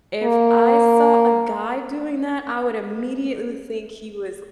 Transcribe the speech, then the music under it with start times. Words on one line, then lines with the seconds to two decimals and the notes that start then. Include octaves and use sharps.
If I saw a guy doing that, I would immediately think he was
0.23 A#3